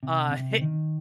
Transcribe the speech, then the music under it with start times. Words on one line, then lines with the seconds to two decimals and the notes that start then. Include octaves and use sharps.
uh, heh
0.03 C3
0.31 C3
0.61 D#3